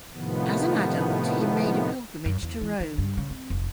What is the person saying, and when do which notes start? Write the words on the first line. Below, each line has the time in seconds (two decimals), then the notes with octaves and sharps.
As an adult he made a pilgrimage to Rome.
0.14 A2 C3 D#3 F3 B3
2.26 F#2
2.42 E2
2.61 E3
2.80 D#3
2.98 G2
3.17 C#3
3.30 C4
3.50 F1